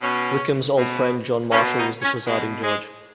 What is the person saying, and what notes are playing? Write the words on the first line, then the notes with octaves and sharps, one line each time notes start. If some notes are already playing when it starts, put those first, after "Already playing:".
Wickham's old friend John Marshall was the presiding judge.
B2 C#4
B2
B2 C#4
D#4
C#4
B2 G#3
G#3